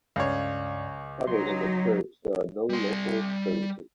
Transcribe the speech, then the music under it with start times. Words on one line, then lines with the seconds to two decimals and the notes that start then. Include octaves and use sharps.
Other than the church there are no local services.
0.16 C#2 G2 C#5 D5 F5
1.27 F#3 D#4 C6
2.70 G3 C6